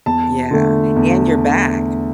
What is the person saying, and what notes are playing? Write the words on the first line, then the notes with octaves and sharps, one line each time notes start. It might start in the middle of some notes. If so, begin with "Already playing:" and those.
Yeah, and your back.
E2 A5
D3 A3
E2